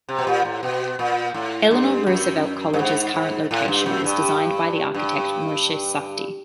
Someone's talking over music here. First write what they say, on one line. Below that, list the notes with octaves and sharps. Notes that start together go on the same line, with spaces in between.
Eleanor Roosevelt College's current location was designed by the architect Moshe Safdie.
C3
B2
A#2
A2
B2
A#2
A2
G2
F#2
G2
G#2
G#2
A2
G2
F#2
G2
G2